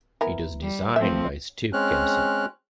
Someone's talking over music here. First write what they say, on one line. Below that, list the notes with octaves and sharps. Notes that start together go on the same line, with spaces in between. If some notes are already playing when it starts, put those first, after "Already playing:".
It was designed by Steve Kenson.
E3 B3 A#4
G3
F3 A3 C4 E5
G#3 C4 C#4 F6 F#6